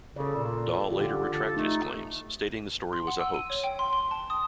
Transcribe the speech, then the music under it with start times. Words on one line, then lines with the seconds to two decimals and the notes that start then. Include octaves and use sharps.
Dahl later retracted his claims, stating the story was a hoax.
0.16 C#3 A4 D5
0.35 A#2
0.90 D3 F4 G4
1.33 A4
1.57 A3 D#4
2.93 C6
3.07 F#5
3.20 E6
3.34 D#7
3.50 C#5
3.64 G5
3.79 C6
3.93 C6
4.11 A5
4.30 D#6